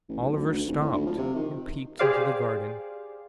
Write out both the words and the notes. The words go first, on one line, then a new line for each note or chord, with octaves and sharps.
Oliver stopped, and peeped into the garden.
A1
B1
D2
D2
F1
A2
D2
F3
C3
D#3
G4 G#4 C5 D5 F5